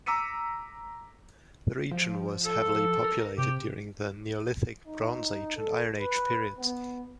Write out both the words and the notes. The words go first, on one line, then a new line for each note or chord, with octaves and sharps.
The region was heavily populated during the Neolithic, Bronze Age and Iron Age periods.
A#5 D6 E6 B6 C#7 D#7
F3
A4
A#4
C3 G4
D#4
A4
B4
B3